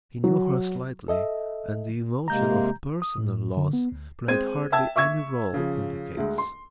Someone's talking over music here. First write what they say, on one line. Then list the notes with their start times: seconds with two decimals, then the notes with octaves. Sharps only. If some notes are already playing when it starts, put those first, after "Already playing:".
He knew her slightly and the emotion of personal loss played hardly any role in the case.
0.24 F#3
1.08 A4 D#5 E5
2.28 C3 G#3 A#3 A#5 G6
3.02 D#6
3.18 A2
3.57 D3
3.73 B3
3.92 D2
4.28 G#3 C4 C5 G#6 D#7
4.72 E5 G5 A5 E6 G#6
4.96 E5 C#6 E6 G#6
5.54 C#3 F3
6.17 D2 G#3
6.38 C6